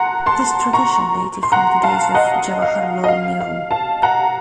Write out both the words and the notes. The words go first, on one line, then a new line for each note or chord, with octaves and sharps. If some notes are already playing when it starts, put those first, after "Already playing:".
This tradition dated from the days of Jawaharlal Nehru.
Already playing: F#5 A5 A#5 C6
A5 C6
A#5 C#6
C6
F#5 A#5
F5 A5
D#5 F#5
F5
D#5
F5
F5
F5 A5
F#5 A#5